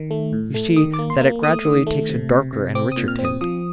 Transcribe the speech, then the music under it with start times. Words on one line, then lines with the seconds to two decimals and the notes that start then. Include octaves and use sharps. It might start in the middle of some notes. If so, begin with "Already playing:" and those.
You see that it gradually takes a darker and richer tint.
Already playing: D#3
0.11 A3
0.33 A2
0.54 A3
0.76 D#3 D#6
0.94 D6
0.99 A#3
1.10 C6
1.21 A#3
1.43 A3 D#6
1.65 D#3
1.87 A3
2.09 C3
2.31 C3
2.53 C3
2.75 C4 D6
2.92 D#6
2.97 A#2
3.08 F6
3.19 C4
3.25 D#6
3.41 F3 D#6